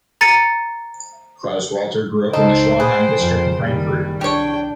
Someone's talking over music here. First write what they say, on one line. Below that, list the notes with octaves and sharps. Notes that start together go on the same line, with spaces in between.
Klaus Walter grew up in the Schwanheim district of Frankfurt.
A#5 A6 C#7 D#7
C#2 D#4 A4 C5 G5
G#4 B4
F2
F#1 D#3 G3
C2 D4 G4 C#5 G5